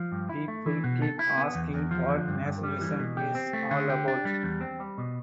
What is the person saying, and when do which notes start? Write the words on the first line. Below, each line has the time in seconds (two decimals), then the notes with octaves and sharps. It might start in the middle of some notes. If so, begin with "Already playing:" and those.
People keep asking what nationalism is all about.
Already playing: F3
0.12 G2
0.29 E4
0.48 A3
0.66 E3
0.84 B2
1.02 A4
1.19 E4
1.38 B3
1.55 E2
1.74 E2
1.91 F3
2.09 D3
2.28 G2
2.45 G2
2.63 G3
2.81 E3
2.99 B2
3.17 G4
3.35 C4
3.53 A3
3.71 D3
3.89 G4
4.08 D4
4.25 G3
4.43 E2
4.61 C4
4.80 G3
4.98 B2